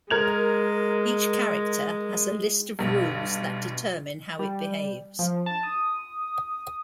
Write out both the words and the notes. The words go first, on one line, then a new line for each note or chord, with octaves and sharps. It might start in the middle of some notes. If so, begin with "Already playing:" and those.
Each character has a list of rules that determine how it behaves.
G#3 A#4 G#6 F7
B1 G2
G3
F3
A5
D#6